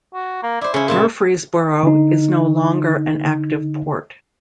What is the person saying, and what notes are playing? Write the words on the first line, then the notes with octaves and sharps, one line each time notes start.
Murfreesboro is no longer an active port.
F#4
A#3
E4 C5 D5
C#3 C#4 E4
A#2 E4 F4 A5
D3 D#4